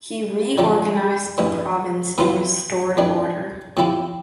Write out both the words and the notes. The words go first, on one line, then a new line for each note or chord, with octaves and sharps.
He reorganized the province and restored order.
D3 F3 C4 G4
A1 G2 E3
C3 E3 B3 F4 C5
F2 E3 G3 D4
C3 F3 C4 E4 G4